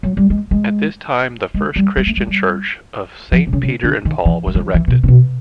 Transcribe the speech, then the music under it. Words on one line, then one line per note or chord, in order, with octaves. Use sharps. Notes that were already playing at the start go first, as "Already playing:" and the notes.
At this time the first Christian church of Saint Peter and Paul was erected.
F#3
G3
G#3
G#3
G#3
G3
G3
A3
G#3
G3
F3
C3
C#3
C#3
D3
D#3
E3
F3
E3
F3
E3
B2
C3
B2